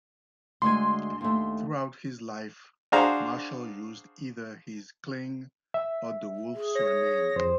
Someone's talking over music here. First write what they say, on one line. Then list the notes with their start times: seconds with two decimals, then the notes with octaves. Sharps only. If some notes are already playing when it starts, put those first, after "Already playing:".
Throughout his life, Marshall used either his Kling or DeWolfe surname.
0.62 D2 G#3 G#5 C6
1.21 D#2 A3
2.92 D4 F#4 G#4 C5 F5 A#5
5.74 E5
6.55 G#4
6.75 C#5 A#6
7.36 F2 C5